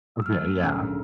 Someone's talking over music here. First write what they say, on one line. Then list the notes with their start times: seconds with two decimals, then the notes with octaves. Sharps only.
Okay, yeah.
0.22 F#3 A3 E6 F6
0.64 G#1 D2 A#2 C#4